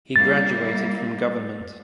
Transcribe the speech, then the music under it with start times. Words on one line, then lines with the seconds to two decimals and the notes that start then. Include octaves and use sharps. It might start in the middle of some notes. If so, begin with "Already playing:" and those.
He graduated from Govt.
0.16 G3 A#3 E4 A6